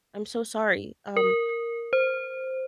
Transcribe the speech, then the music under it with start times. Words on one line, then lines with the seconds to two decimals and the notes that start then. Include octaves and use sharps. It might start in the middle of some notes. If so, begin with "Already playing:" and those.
I'm so sorry. Um
1.17 A#4
1.93 C5